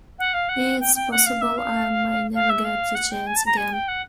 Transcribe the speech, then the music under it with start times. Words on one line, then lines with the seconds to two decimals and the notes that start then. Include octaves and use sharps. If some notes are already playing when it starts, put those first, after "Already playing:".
It's possible I'll may never get the chance again.
0.19 F#5
0.33 F5
0.48 F#5
0.80 G5
0.95 G5
1.11 F#5
1.26 F5
1.41 E5
1.57 F5
2.34 F5
2.49 E5
2.64 F5
2.95 F#5
3.11 G5
3.26 G#5
3.36 A5
3.46 A#5
3.57 G#5
3.72 G5
3.88 F#5